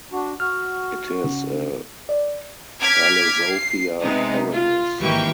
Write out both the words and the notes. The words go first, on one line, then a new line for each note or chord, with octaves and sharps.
It is a philosophia perennis.
D4 F#4
F#4 F6
C#3
D5
D6 F6 G#6 B6
C7
C3 G#3 B3 D#4
F4
G#1 E3 A#3 G4 G5 C#6